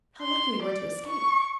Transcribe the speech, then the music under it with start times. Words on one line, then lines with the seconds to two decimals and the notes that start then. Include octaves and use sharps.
How lucky we were to escape!'
0.21 C6
0.62 D5
1.07 C#6